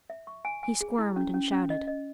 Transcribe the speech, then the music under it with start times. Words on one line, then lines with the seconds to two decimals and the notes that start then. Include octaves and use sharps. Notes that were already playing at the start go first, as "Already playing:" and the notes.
He squirmed and shouted.
0.10 E5
0.27 C#6
0.45 G#5
0.63 G#5
0.81 G#4
0.99 E4
1.16 C#4
1.34 C#4
1.52 C#4
1.70 D#5
1.88 D#5